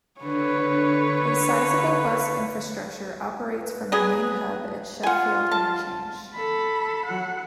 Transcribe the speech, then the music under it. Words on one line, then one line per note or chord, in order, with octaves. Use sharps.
A sizeable bus infrastructure operates from a main hub at Sheffield Interchange.
D3 B4 C#5
B4
F#3 B3 G#4
F4 F#5 G#5
A5
A4 B5
F#3 F#5